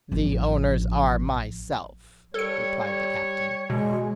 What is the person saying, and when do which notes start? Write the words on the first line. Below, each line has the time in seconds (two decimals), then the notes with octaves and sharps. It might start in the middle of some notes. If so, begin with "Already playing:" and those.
"The owners are myself," replied the captain.
0.12 A1 F3
2.34 G3 A4 C#5 C#7
2.80 C#5
3.70 B2 G#3